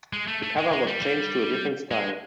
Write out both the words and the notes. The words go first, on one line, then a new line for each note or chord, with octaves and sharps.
The cover was changed to a different style.
G#3
A3
A3
G#3
G#3
G3
G3
G#3